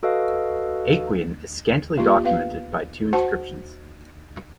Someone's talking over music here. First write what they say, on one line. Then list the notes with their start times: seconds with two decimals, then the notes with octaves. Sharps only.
Aequian is scantily documented by two inscriptions.
0.03 F#4 A4 B4 D#5 F5
1.98 A#3 F4 G4
2.24 B3 B4 F5
3.13 F#4 C5 F#5 A5 C#6